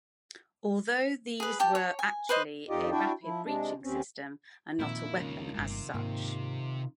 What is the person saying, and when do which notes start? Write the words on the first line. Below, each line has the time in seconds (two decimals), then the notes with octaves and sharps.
Although these were actually a rapid breaching system and not a weapon as such.
1.40 G#4 B4
1.59 G4 G5 A5
1.75 C#5
1.99 G#5
2.29 B4 C5 D#5
2.69 F2 D#4 F4 G4 D5 D#5
2.91 D4 E4 F#4 D5 G5
3.23 F3 E4
3.45 C3 G#3 D4
3.83 D#2 C4 C#4
4.79 F2 A#2 D#3 C4 E4
5.19 C#2 C#4
5.54 G1 C3 G#3
5.94 G#2 D#3 A#3 F4